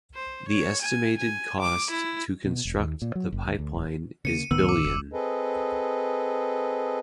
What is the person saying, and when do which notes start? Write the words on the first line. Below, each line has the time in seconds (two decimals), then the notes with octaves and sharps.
The estimated cost to construct the pipeline is billion.
0.14 C5
0.48 C#5
0.82 G#5
1.18 G#5
1.60 D6
1.91 E4
2.45 B2
2.65 E1
2.80 D#2
3.02 A#2
3.15 F#3
3.33 F#1
3.45 D2
3.59 D2
3.74 D1
4.25 C#3 A#3 C#7 D#7
4.51 C#2 A2 D#3 B3 E6
4.69 D6
4.84 E1
5.13 C4 G#4 A4 B4 D#5